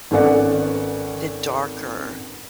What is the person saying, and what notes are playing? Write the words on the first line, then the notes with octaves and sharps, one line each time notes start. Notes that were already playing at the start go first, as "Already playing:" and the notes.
the darker,
G#1 B3 C#4 A4 D5 F#5